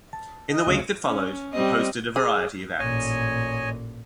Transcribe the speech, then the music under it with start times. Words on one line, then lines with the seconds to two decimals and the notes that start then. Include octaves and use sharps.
In the week that followed, it hosted a variety of acts.
0.13 A5
0.50 D#5
0.67 D2 C#3 F5
1.05 C#4
1.53 G3 C4 D#5
2.16 G#4
2.79 A1 A#2 C#5 D#5 G#5